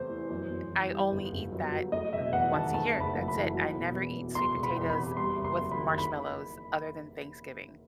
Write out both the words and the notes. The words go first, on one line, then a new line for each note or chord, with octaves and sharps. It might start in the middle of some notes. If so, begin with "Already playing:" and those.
eh I only eat that th once a year, that's it. I never eat sweet potatoes with marshmallows other than Thanksgiving.
Already playing: E2 C3 A3 C5
E3
F#2
F#2
E3
G3
G1
G1
F#2
F#3
A3 D#5
E1 E5
E2 F#5
D#3 A5
A3 A5
F#1
B5
F#2
B5
E3
F#3
E1
E2
B2
E1 C6
E1
B5
E2
B5
C3
G3 C6
F#1
C6
F#2
B5
D#3
B5